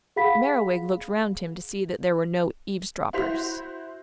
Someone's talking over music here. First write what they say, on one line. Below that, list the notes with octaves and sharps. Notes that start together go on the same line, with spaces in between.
Merriwig looked round him to see that there were no eavesdroppers.
G#4 F5 F#5 B5 B6
E4 F#4 C5 B6 F7